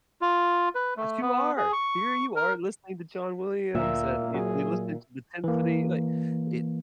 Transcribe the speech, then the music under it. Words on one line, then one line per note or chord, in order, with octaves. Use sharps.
But you are! Here you are listening to John Williams, and you you're listening to the symphony, like it's
F4
B4
A3
B3
G#4
C#6
A#4
D2 A#2 A#3 E5
F#3 G#4
E3 A#3